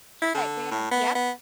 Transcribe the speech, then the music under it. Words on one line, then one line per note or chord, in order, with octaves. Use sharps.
shut down Yep.
E4
D3
A2
B3
B3